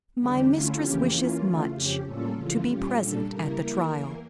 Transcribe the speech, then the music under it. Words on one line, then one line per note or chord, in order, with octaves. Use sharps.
"My mistress wishes much to be present at the trial."
E2 D3 G3 D4 G4
D3 A3 C#4 E4 F4
F2 C#3 E3 A#3 C#4 G4
E3 A#3 C#4 F4
C#3 E3 A3
F2 C#3 F3 C#4 G4
A2 G3 A#3 C#4 F4 A4
F2 C#3 E3 A3 F4
A#2 G3 C#4 F4 G4
A#2 G3 D4 A4
C#3 G3 A#3 E4 A#4
E3 G3 A#3 E4
E2 E3 A#3